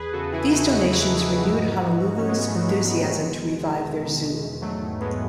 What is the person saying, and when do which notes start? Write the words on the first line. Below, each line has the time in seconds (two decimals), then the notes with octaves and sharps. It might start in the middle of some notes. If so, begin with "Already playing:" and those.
These donations renewed Honolulu's enthusiasm to revive their zoo.
Already playing: E2 G#4 B4
0.12 C#3 F#4 A4
0.32 E3 E4 G#4
0.51 C#3 D#4 F#4
0.71 E2 D#4 F#4
0.90 C#3
1.09 C#3
1.29 E3
1.48 G#2
1.68 G#2
1.87 E3
2.07 G#2
2.17 C#4
2.27 E3 G#3 B3
2.46 G#2 F#3 A3
2.65 E3 G#3
2.85 E3 F#3
3.04 B2 G#3
3.24 E2
3.44 B2
3.63 E2
3.83 E2
4.02 B2
4.22 B2
4.41 E2
4.60 G#2 F#3 A3
4.81 D#3
4.99 D#3 G#3 B3